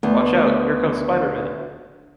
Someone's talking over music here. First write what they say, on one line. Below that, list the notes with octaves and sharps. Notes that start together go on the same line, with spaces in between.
Watch out, here comes Spider Man!
D2 B3